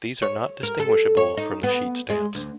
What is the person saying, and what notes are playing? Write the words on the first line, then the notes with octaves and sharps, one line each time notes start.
These are not distinguishable from the sheet stamps.
C#5
A#4
A4
C#5
D#4
B3
G#3
D2